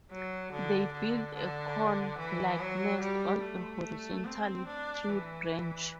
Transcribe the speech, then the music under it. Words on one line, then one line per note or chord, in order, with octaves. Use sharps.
They build a cone-like nest on a horizontal tree branch.
F#3
D3
D3
D3
E3
F#3
G3
A3
C4
D4
E3